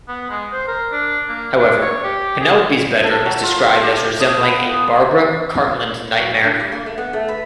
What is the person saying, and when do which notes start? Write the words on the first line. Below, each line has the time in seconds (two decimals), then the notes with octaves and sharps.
However, Penelope's bedroom is described as resembling a "Barbara Cartland nightmare".
0.08 B3
0.30 G#3
0.52 C5
0.68 A#4
0.92 D4
1.29 A#3
1.59 D4
1.81 C#5
2.04 G4
2.40 G#4
3.04 A4
3.26 F#3
3.44 F4
3.62 F4
3.83 G4
4.04 G5
4.20 D#6
4.43 B3
4.74 D#6
6.17 F#3
6.31 G#2
6.43 D4
6.60 G3
6.72 A#3
6.86 A3
6.98 B3
7.13 A3
7.28 B4